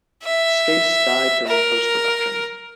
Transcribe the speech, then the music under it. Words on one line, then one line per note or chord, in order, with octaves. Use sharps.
Skase died during post production.
E5
A#4